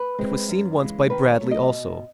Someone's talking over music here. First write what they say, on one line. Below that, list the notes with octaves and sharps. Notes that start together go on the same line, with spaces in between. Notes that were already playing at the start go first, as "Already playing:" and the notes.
It was seen once by Bradley also.
Already playing: B4
G#3 C4 E4
F#2
C#3 E3 G#3
D#3 B4
C#5
F#3 A3
D#5
B2